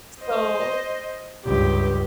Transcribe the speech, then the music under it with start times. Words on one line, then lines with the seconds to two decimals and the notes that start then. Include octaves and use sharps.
S so
0.21 C5 D#5
1.45 C#2 G2 G4